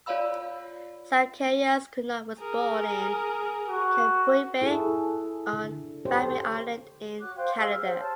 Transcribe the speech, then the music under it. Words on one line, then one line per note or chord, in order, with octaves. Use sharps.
Zacharias Kunuk was born in Kapuivik on Baffin Island in Canada.
F4 C#5 D5 F5 B5 E6
G#4 A#4
F#4
E4 G#4 A4
D3
G4 A4 C5 C#5
F#4 C#5 D6 F#6
C5 F5 G5 C6
G4 G#4 F5 E6
F6
C5 C#5 F5 G5
C#5 A5 C6